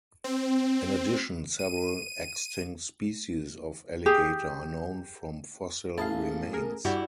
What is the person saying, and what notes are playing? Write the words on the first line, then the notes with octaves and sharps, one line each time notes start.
In addition, several extinct species of alligator are known from fossil remains.
C4
D#7
G4 G#4
A1 E4 G#4 F5 A5
G#4 A#4
G2 E4 F#4 G4 D5